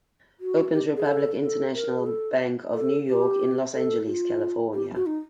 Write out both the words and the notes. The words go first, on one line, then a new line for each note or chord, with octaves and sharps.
Opens Republic International Bank of New York in Los Angeles, California.
F#4
G4
G#4
A4
A4
A#4
G#4
A4
A4
G4
A4
F#4
F4
G4
F#4
D#4